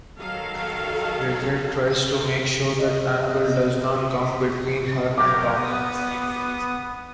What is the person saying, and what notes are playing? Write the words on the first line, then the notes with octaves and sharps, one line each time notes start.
Lynette tries to make sure that Annabel does not come between her and Tom.
D#3 F#3 A4 F5
D#5
F#3 G4 A#4 D6
B3 D#6